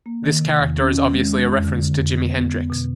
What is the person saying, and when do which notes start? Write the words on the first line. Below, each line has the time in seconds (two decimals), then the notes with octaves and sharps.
This character is obviously a reference to Jimi Hendrix.
0.06 A#3
0.24 D#3
0.41 C3
0.59 E2
0.77 C#4
0.95 C#4
1.12 G#3
1.30 G#3
1.48 F2
1.65 D3
1.82 D3
2.00 F2
2.18 B3
2.36 B3
2.53 B3
2.70 B2